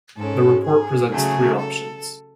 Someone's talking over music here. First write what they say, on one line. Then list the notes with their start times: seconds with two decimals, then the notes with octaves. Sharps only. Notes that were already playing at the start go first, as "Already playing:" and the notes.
The report presents three options.
0.17 G#2 G#3 C#4 A4
0.65 G#4
1.12 C#3 F#3 A3 G#4
1.59 A4